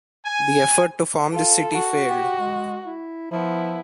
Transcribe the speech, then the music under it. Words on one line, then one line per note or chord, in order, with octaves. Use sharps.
The effort to form this city failed.
G#5
F4 A4
F#4
G4
G#3
E4
F3 B3 E4